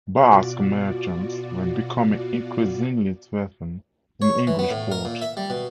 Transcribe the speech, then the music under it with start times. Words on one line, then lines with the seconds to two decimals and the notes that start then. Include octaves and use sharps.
Basque merchants were becoming increasingly threatened in English ports.
0.14 B2 F4 F#4 D5
4.22 C#5
4.47 E3
4.59 B3
4.71 A2
4.92 A#4
5.05 A#2
5.22 E5
5.37 G3
5.50 B2